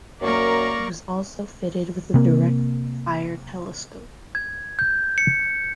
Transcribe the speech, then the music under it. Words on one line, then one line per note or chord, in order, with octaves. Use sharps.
It was also fitted with a direct fire telescope.
F#2 A#3 A#4 D5 C#6
C3 A#3
G#6
G6
C#7